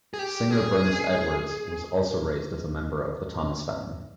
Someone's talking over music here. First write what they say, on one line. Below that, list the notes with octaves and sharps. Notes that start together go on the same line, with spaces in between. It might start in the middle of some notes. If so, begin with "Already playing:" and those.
Singer Bernice Edwards was also raised as a member of the Thomas family.
G#4
G4
G#4